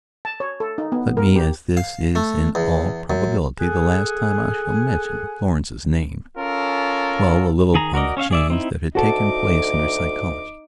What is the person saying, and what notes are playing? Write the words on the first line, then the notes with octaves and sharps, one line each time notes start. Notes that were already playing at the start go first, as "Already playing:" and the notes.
Let me, as this is in all probability the last time I shall mention Florence's name, dwell a little upon the change that had taken place in her psychology.
A5
C#5
A4
D#4
B3
A#4
G4
F5
A3
E2
F#2
G#4 A4 F#5 G#5
C#4 F4 A4 A#4
D#3 G#4 A#5
F#4 A#4 D5 D#5
C#4 C#5 E5 F5
G#4 D5 E5
C4 D#4 E4
D2 D#4 F#4 A4 D6